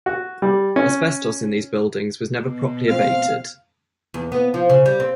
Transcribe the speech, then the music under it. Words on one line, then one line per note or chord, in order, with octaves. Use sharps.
Asbestos in these buildings was never properly abated.
F#4
G3
C#4
B2
A3 C4 F4 F5 F6
E2
B3
F3
C#3
G3
C4